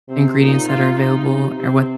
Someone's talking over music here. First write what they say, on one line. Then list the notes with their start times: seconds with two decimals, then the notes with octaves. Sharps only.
ingredients that are available or what
0.09 C3 C4
0.39 A#2 D#4
0.68 C3 F4
0.99 D#4
1.59 C3 C4